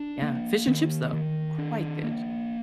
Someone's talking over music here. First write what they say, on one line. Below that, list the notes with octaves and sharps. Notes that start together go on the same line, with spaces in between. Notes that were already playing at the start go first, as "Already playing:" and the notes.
Yeah. Fish and chips, though. Quite good,
Already playing: D4
A#3
D#3
D#3
D4
A#3